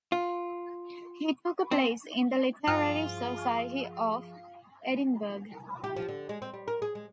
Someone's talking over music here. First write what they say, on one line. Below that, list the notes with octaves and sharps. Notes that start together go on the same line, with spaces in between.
He took a place in the literary society of Edinburgh.
F4
C4
G2 F3 F4 G#4 F5 G5 F6 F#6
G4
F3
D3
G#3
C4
G3
A#4
G#4
G#3